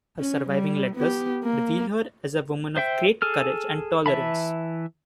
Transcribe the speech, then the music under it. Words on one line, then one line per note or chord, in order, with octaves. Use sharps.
Her surviving letters reveal her as a woman of great courage and tolerance.
C#4
G3
B3 G4
A#3
C5 E5 G5
G#4 A4 F6
E3 E5 A5 B5